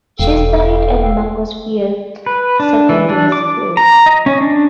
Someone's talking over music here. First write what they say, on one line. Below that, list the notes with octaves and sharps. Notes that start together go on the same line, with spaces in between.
She studied at Mangotsfield Secondary school.
E1 A4 F5 G5
B4
D4
E3
D4
D6
A#5
D#5
C#4
D4